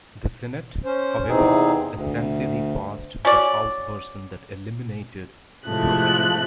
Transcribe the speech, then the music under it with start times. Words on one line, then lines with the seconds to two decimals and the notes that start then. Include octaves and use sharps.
The Senate, however, essentially passed the House version that eliminated the program.
0.85 C#4 C5
1.29 E2 C3 E3 C4 D#4 G#4
1.91 D2
3.25 C#4 F#4 D5
5.66 A2 C3 F3 G#3 A3 F#6